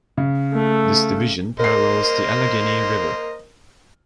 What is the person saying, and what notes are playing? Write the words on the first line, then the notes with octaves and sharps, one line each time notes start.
This division parallels the Allegheny River.
C#3
A3
A#3 A#4 C5 D#5 C7